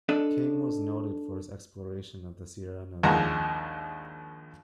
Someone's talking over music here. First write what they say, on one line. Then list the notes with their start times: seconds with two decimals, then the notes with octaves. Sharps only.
King was noted for his exploration of the Sierra Nevada.
0.09 D4 A4 D#5
3.03 A#1 D#2 G#3 F#5 A#5